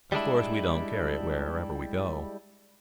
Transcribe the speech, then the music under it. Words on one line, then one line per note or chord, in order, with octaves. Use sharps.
Of course we don't carry it wherever we go.
G3 G#3 D4 E4